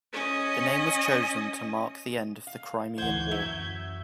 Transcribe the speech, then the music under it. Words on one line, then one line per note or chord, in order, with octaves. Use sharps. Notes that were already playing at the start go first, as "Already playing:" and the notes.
The name was chosen to mark the end of the Crimean War.
C#4 D#5
F5
D2 E3 C5 F#5 G6 G#6
F#2 F#3 E5